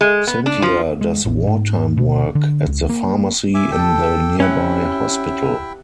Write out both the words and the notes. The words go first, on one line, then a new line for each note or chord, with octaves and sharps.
Cynthia does war-time work at the pharmacy in the nearby hospital.
G#3
B3
D4
F3
G#3
A1
G#2
B2
D3
C#2
A#3
E5 G#5 D6
G4 A4 G5 A5
C3 C#4 E4 E5 F#5 G5